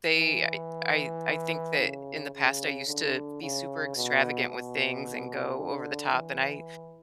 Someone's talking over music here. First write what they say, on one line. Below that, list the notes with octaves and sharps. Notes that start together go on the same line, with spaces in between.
they I I I think that in the past, I used to be super extravagant with things and go over the top, and I
E3
C#3
C#3
D3
C#3
B2
B2
D3
E3